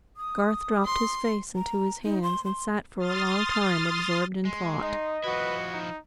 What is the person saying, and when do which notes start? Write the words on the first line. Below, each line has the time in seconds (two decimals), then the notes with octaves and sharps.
Garth dropped his face into his hands, and sat for a long time absorbed in thought.
0.17 D#6
0.85 C6
1.55 A#5
2.04 D#4
2.23 C6
2.45 C6
2.98 C6 D#6 F6 A6
4.45 G#3 C6
4.81 D#4 D#5
5.24 F3 E4 F#4 B4
5.74 D#4